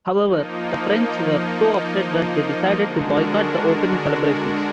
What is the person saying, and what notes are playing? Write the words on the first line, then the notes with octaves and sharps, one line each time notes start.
However, the French were so upset that they decided to boycott the opening celebrations.
F3 A#3 D#4
D3 G#3 D4 F#4 A#4